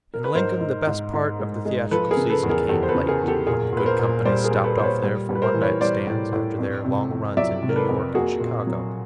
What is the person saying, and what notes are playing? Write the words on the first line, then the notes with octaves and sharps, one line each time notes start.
IN Lincoln the best part of the theatrical season came late, when the good companies stopped off there for one-night stands, after their long runs in New York and Chicago.
A#4
B4
G#2 A#4 C5
G#2
G#2
G#2
G#3
G#3
F3 A4 B4
G#4 A#4
C#3
A4 B4
E2
G#4 A#4
E2 G4 A4
C5
A4 B4
C#3
G#4 A#4
E2
G4 A4
A#2 G#4 A#4
A#2 B4
A#4 C5
A#2
G3 C5 D5
G#4 A#4
G3
A4 B4
A#2 C5
B4 C#5
G3
G3
B4
A#4 C5
E3
B4 C#5
G3 C5 D5
A2
A2
F2
C3
F2
F#3 D5 E5
C3
A#4
A4 B4
F2
A#3 F#4 G#4
A#2
F#3